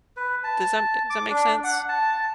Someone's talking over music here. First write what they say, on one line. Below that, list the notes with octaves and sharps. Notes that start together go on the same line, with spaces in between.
Does that does that make sense?
B4
A5
D6
D4
F#5
A5